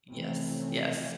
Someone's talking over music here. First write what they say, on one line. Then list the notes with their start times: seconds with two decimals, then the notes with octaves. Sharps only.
Yes, yes.
0.11 C3 E3 F3 A3 C4 C#4